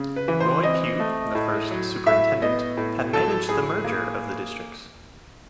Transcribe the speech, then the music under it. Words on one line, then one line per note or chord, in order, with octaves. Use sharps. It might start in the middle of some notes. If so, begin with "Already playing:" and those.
Roy Pugh, the first superintendent, had managed the merger of the districts.
Already playing: C#3
B4
E3
C5
C4 D#5
A3
A2
F#3
A2 E5
B3 D#5
A2
F#3 A4
A2 G#4
A#3